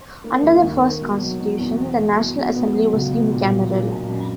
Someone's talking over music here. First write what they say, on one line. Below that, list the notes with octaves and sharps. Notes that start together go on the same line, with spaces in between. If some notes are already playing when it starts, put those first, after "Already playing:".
Under the first constitution, the National Assembly was unicameral.
A#3
D#2
D#2
A#3
B2
F#3
B2
E2
B2
B2
B2
B2
B3
F#3
C#2
B2
A#2
F#3
A#2
A#2
F#2